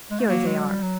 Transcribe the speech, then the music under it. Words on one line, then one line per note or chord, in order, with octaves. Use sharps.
Here they are...
G#3
A3
F#3 A#3
G#3
G3
F#3